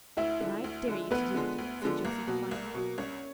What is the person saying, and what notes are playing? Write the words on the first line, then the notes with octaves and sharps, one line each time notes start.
"Then I dare you to do it," said Josie defiantly.
D2 E4 E5
D3 F3 G#3
D2
D3 F3 G#3
D2 B3 B4
D3 F3 G#3
D2
D3 F3 G#3
C2 A#3 A#4
B2 F#3
C2
B2 F#3
C2 C#4 C#5